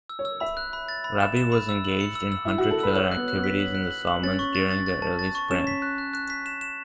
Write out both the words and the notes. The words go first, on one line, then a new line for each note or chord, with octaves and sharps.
"Raby" was engaged in hunter-killer activities in the Solomons during the early spring.
E6
C#5
E6
E5 B5
F#6
B5
A6
B5
E7
E7
B5
E6
F#7
C#7
E6
E6
E4 E6
F#4
F#7
A4
B4 E6
C#5 F#7
B3 F#6
F#6
B3
B6
F#7
F#6
F#7
F#7
C#4 A6
C#6
A6
A6
A6
A5
A6
C#6
C#4 E7
B6
F#6
F#6
F#6
B6
E7
E7